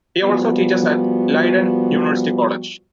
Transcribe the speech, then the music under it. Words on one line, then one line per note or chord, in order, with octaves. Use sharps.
He also teaches at Leiden University College.
F3 G3 B3 F#4